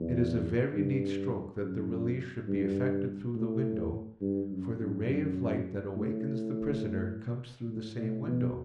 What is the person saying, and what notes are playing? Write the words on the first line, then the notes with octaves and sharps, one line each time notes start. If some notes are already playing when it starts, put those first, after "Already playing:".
It is a very neat stroke that the release should be effected through the window, for the ray of light that awakens the prisoner comes through the same window.
Already playing: E2
G2
F#2
G2
A2
G2
F#2
F#2
F#2
A2
A2
A2
B2